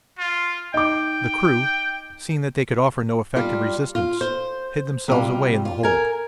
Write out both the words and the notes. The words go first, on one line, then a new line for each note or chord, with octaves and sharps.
The crew, seeing that they could offer no effective resistance, hid themselves away in the hold.
F4
D#4 G5 D6
G3 D4 F4
F4
C5
C3 G3 F4
F4
A#4 G#5